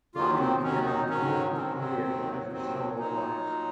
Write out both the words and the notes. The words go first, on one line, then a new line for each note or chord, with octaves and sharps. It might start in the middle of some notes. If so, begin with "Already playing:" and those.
Ronnie began his musical career as a solo artist.
D#2 D#3 F#3 F4
C4
D#2 D#3 F#3 C#4
D#4
G#2 D#3 F#3 C#4
G#2 D#3 F#3 C4
C4
D#2 D#3 F#3
D#2 D#3 F#3 C4
A#2 F#3 D#4
A#2 F#3